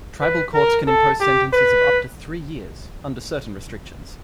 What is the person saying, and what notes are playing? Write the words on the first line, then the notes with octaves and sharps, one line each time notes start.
Tribal courts can impose sentences of up to three years, under certain restrictions.
B4
A#4
A4
G4
B4